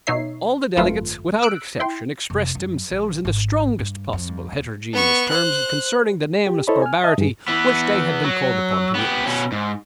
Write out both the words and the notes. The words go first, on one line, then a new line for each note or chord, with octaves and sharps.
All the delegates without exception expressed themselves in the strongest possible heterogeneous terms concerning the nameless barbarity which they had been called upon to witness.
B2 D#4 C#5 E5 C7
G#1 F#2 A3 F4 B4
E6 F#6 D7
E4 G5 C6
F1
F#2
A#1
G#1
G2
F2
D#2
B3 C#6
C5 F#6
G4
E4 A4 C5 C#5 D#5 B5
G#5 F6
D#5 E5 A5 D#6
G2 G#4
E3 B3
F#3
B3 G4
B2 C#4
G#2